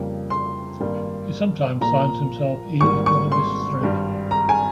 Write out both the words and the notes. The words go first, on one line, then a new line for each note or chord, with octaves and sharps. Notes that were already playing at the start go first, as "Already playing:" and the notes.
He sometimes signs himself E Jarvis Thribb.
Already playing: F2 C#3 G3 A#3
C6
G#1 G2 G3 A#3
A#1 A#2 F3 A#5
G#1 G#2 G3 A#3 C#6
C#6
C6
G#1 G2 G3
A#5
G#5